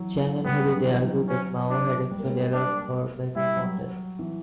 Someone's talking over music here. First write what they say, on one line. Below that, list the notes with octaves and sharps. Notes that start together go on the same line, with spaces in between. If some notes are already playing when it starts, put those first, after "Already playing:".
Chang and Halliday argue that Mao had actually allowed for many more deaths.
Already playing: E3 F#3
G3 B3
F#3
D3
E3
F#3
C#4
D4
G3
A#3
G3
A#3 D4
G3 E4
F#3
F#3
E3